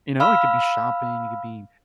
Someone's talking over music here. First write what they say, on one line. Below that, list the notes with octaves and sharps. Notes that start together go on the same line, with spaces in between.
you know? It could be shopping, it could be,
F5 B5 E6 F6